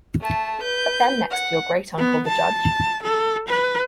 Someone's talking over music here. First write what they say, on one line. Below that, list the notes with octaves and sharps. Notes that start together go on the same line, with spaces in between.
Put them next to your great-uncle the judge.
A3 A5
B4 G6
F#5
B3
A5
A4
B4